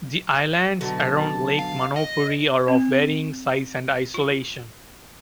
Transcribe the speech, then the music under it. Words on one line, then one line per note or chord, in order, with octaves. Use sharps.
The islands around Lake Manapouri are of varying size and isolation.
B2 D3 F#3 A5
F5
D#5
C4
F4